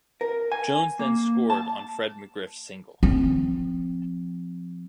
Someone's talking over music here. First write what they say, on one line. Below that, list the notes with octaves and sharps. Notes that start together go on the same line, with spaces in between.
Jones then scored on Fred McGriff's single.
A#4
G#5
A#3
A5
F3 C4